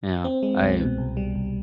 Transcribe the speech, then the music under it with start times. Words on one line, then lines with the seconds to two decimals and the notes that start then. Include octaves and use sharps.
Yeah. I
0.25 C4
0.43 G#3
0.61 C2
0.80 B2
0.98 C2
1.17 G3
1.35 C2